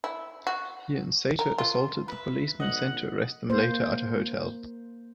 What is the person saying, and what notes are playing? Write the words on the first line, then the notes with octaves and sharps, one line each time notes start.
He and Saito assaulted the policemen sent to arrest them later at a hotel.
E4
F#4
A#4
F4
B4 E5
A#1 D#5 F#5
A#3 C5